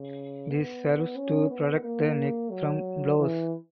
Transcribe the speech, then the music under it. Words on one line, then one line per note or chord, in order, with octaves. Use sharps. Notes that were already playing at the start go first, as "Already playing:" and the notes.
This serves to protect the neck from blows.
Already playing: C#3
B3
C#4
B3
A#3
F#3
E3